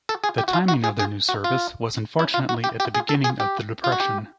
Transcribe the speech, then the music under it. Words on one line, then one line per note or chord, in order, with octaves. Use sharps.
The timing of their new service was unfortunately at the beginning of the depression.
A4
G#4
G4
F#4
F4
F#4
G#4
G#4
F#4
F4
E4
F4
F#4
G4
G4
G#4
A4
G#4
G4
F4
F#4
G4